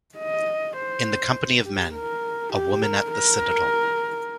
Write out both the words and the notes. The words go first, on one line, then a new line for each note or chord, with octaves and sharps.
In the Company of Men: A Woman at The Citadel.
D#5
C5
G4
A#4
G4
A#4
A#4